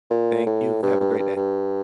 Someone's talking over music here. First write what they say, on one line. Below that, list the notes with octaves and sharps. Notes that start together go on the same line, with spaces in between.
Thank you, have a great day.
A#2
A2
G2
G2
G2
G2